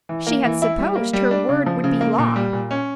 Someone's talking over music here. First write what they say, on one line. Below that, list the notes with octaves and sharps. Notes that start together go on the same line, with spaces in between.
She had supposed her word would be law.
E3
A#3
E3
E4
G3
A#3
G3
D4
C#3
F3
C#3
A#3
A#2
G3
A#2
C#4